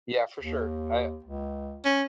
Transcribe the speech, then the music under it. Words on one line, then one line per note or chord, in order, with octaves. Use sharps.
Yeah, for sure. I
D#2
C#2
C#4